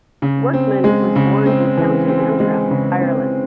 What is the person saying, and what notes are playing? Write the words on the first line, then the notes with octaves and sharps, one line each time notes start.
Workman was born in County Antrim, Ireland.
C#3
C4
G#3
C#3
C4
E3
C4
G#3
C#3
C4